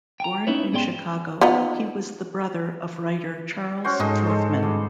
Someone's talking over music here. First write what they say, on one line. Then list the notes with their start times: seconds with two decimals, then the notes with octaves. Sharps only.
Born in Chicago, he was the brother of writer Charles Furthman.
0.20 G5 G#5 A#5
0.47 C#4 D#4 E4 B4 C#5
0.73 G#2 B3 G#4 D5 G5 C6
1.41 F3 B3 D#4
3.84 C#4 F#4 C5
4.00 G#2 A4 C5 D#5
4.27 G#3 A4
4.63 G2